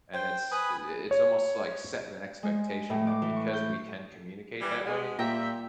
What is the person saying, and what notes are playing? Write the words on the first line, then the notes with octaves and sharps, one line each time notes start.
And it's it it's almost, like, setting an expectation that because we can communicate that way,
C5 G5
B4 G#5 B5 D#6
C#5
G#3
A2
D6
E3
C#6
G6
E3 G3
B2 G#3
A#2 G3 E5 G5 A#5